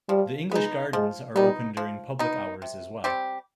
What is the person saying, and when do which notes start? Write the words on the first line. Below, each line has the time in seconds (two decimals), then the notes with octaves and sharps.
The English gardens are open during public hours as well.
0.09 F3 G3
0.51 G#3 B3 D#4
0.93 F3 G#3
1.35 G3 B3 D#4
1.77 F3
2.19 B3 D#4
2.62 C3
3.04 G3 C4 G4